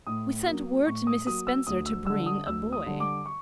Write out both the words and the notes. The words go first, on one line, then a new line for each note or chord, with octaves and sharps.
"We sent word to Mrs. Spencer to bring a boy."
A2 D#6
F#3 A#3
A2 C#6
D#6
F#3 A#3 D#6
E6
D2 D#6
E6
D3 G3 E6
D#6
D2 E6
D#6
D3 G3
D6
C#6